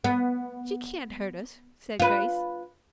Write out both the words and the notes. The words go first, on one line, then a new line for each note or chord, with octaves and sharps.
"She can't hurt us," said Grace.
B3
F4 B4